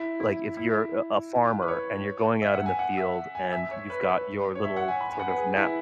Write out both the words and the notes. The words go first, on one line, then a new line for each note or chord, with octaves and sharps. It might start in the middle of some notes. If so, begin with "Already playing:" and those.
like if you're a a farmer and you're going out in the field and you've got your little sort of knap
Already playing: E4
E4
E4
B4
C#5
E5
F#5
G#5
F#5
E5
G#5
E5
C#5
B4
B4
C#5
E5
F#5
G#5
B5
G#5
F#5
B4
G#4
E4